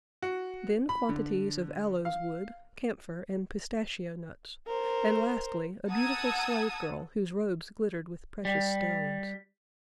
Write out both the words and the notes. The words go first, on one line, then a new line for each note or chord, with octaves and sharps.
Then quantities of aloes wood, camphor, and pistachio-nuts; and lastly, a beautiful slave girl, whose robes glittered with precious stones.
F#4
B5
D3
F5
A#4 C5
F#5 A5 A#5 D#6 E6 G#6
G3